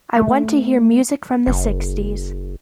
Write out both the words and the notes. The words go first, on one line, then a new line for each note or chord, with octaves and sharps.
I want to hear music from the sixties.
A3
F#1